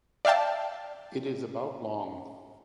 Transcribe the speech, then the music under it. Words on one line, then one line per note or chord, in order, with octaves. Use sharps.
It is about long.
D5 E5 F5 G5 A5